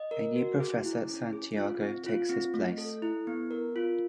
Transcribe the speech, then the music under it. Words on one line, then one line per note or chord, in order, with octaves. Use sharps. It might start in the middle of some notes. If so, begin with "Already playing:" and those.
A new professor Santiago takes his place.
Already playing: D#5
A#4
F#4
G#4
E4
C#4
G#4
F4
C4
F4
C4
A3
A4
E4
B3
A#4
F4